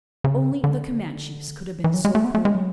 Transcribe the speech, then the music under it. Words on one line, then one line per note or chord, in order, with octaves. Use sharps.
Only the Comanches could have been so cruel?
C#3
D3
E3
F#3
G#3
A3
B3
A3
G#3
F#3